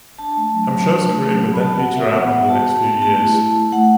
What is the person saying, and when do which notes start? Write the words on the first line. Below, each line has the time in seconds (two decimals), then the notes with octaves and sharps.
Hamsho's career would then peter out over the next few years.
0.18 D4 A5
0.37 A3
0.54 F#3
0.72 F#3
0.90 D4
1.07 A3
1.25 F#3
1.42 F#3
1.53 B5
1.60 B3 A5
1.78 F#4 F#5
1.96 F#4 E5
2.13 B3 F#5
2.31 B3 F#5
2.49 F#4 A5
2.66 F#4 A5
2.84 B3 A5
3.02 A3 A5
3.20 E4
3.38 E4
3.55 A3
3.72 A3 F#5